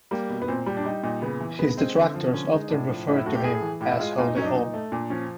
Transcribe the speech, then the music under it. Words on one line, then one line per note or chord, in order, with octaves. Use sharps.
His detractors often referred to him as Holy Homer.
G3 A#3
B2
B3
A#2 C4
G3
D4
G3 D#4
A#2 D#4
C#3 B3
E3
C#3 B3
G#3 C4
D3
F3
D3 C#4
G#3 D#4
A2 D4
F3
A2 D#4
E4
A3 F#4
G4
A2 G#4
E3
A2 G4
E4
G#3 F4
A#2 F4
D#4
F#3 C#4
D#4
D4
A#2 D#4
A3
A#2 D4
F3 C#4